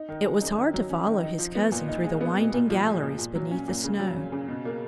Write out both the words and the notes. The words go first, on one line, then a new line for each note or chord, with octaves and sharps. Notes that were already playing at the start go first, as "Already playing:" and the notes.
It was hard to follow his cousin through the winding galleries beneath the snow.
Already playing: D#4
D#3
G#3
F#2
D#3
F#3
C#4
D#3
D#4
F3
B3
A#2
D#4
G#3
B3
B2
A#2
F3
G#3
A#2
A#2
F#3
C#4
A#2
C#3
F#3
C#4
C#3
B2
A#3